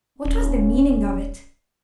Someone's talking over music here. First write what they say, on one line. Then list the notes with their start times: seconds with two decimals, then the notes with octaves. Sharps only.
What was the meaning of it?
0.25 D#1 C#4